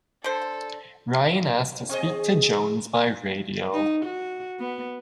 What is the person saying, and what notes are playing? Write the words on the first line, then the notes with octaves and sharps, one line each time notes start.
Ryan asked to speak to Jones by radio.
D3 A4 C5
C4 G#4 D#5
D#4
F#4
B3